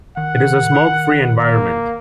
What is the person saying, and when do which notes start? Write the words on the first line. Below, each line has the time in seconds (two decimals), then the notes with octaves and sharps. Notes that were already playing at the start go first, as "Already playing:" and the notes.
It is a smoke-free environment.
0.17 D#3 F#5
1.38 A#3